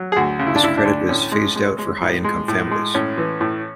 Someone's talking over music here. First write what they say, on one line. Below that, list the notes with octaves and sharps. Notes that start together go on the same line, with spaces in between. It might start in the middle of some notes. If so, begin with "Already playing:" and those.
This credit was phased out for high-income families.
Already playing: F#3
G#4
D2 F#4
C#3
E4
D4
D2 E4
D4
D2
A2 C#4
G#3
G#3
G#3
A2
G#3
A2
G#3
A2 C#4
E3
A2